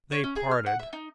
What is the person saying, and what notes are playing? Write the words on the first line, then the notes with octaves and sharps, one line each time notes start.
They parted.
C#5
C#4
G#4
F6
F#5
E5
D#4